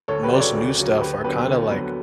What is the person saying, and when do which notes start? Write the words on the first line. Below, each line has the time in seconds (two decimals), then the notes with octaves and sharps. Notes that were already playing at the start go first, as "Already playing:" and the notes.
most new stuff are kinda, like
0.08 D2 A4 C#5
0.23 G4 B4
0.31 C#3 F#3 D5
0.40 A4 C#5
0.54 D2
0.78 C#3 F#3
1.00 D2 G4 B4
1.24 D3 F#3 B3 G4 B4
1.48 D2
1.70 D3 F#3 B3